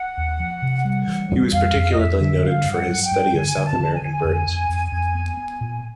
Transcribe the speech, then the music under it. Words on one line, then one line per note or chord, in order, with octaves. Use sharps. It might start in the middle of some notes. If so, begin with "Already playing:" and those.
He was particularly noted for his study of South American birds.
Already playing: F#5
D#2
F3
C3
G3
E3
G3
F2 F5
F2
D#5
F2 E5
D3
G2 F5
G2
F#5
F#3
G5
G2
D3 G#5
D3
A5
D3
G#5
D3
F2
F2
F2
F2
B3
B3
A#2